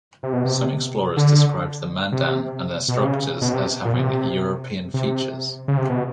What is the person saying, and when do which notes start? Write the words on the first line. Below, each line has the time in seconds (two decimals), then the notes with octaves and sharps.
Some explorers described the Mandan and their structures as having "European" features.
0.23 C3
0.33 B2
0.44 C3
1.17 D3
2.12 C3
2.88 B2
2.98 C3
3.05 C#3
3.41 B2
3.53 C3
3.85 A#2
3.93 B2
3.99 C3
4.94 C3
5.68 C#3
5.77 C3
5.89 B2